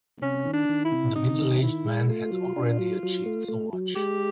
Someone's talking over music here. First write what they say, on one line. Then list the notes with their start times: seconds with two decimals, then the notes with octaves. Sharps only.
The middle-aged man had already achieved so much.
0.22 C3 C#4
0.45 D#3
0.54 D4
0.69 D#3
0.85 E4
0.92 C3
1.16 C3 D#4
1.39 D#3
1.63 D#3 E4
1.85 G#3
2.09 A3 F4
2.32 F#3
2.56 D4
2.79 F#3
3.03 F#3
3.26 A3
3.48 A3
3.73 F#3
3.96 G#3 G4